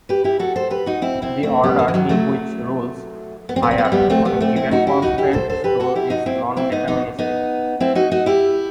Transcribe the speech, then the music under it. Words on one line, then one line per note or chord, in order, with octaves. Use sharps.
The order in which rules "fire" on a given constraint store is non-deterministic.
G4 B4
E4 G4
F#4 A4
A4 C5
G4 B4
D#4 F#4
C4 E4
C4 E4
A3 C4
G3 B3
D#3
E3
D#3 F#3
F#3 A3
B3
C4
B3
C4
B3
C4
G3 B3
A3 C4
G3 B3
A3 C4
C4 E4
D#4 F#4
E4 G4
D#4 F#4
E4 G4
A4 C5
A4 C5
G4 B4
F#4 A4
E4 G4
D#4 F#4
C4 E4
C4 E4
B3 D#4
B3 D#4
B3 D#4
C4 E4
D#4 F#4
D#4 F#4
E4 G4